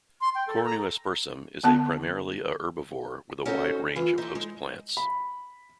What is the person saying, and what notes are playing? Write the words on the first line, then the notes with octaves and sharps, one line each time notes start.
"Cornu aspersum" is a primarily a herbivore with a wide range of host plants.
C6
G5
A4
A#5
D3 B3 A5
C#4 D#4 F#4 A4 C5 C#5
E3 F4
D#4 A4 C5 E5
G#3
B5